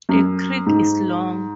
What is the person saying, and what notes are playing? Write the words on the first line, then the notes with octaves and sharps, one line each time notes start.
The creek is long.
F#2
G#2